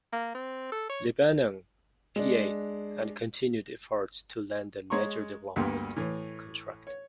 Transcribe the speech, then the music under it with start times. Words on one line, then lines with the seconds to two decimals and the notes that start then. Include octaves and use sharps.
Lebanon, Pa., and continued efforts to land a major development contract.
0.13 A#3
0.35 C4
0.72 A4
0.90 C#5
2.16 G#3 D4
4.90 G#3 C#5 A#5 C6 C#6
5.56 D2 G2 A#3 B3 G4 C6
5.96 A2 E3
6.87 C#5